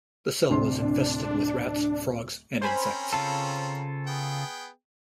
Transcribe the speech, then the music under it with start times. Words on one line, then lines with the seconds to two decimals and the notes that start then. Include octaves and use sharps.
The cell was infested with rats, frogs, and insects.
0.50 D1 C3 D4 C6
2.62 C4 C#4 A#4 C5 G#5 B5
3.13 C#3 F4 A4 A5
4.07 B3 G#4 G5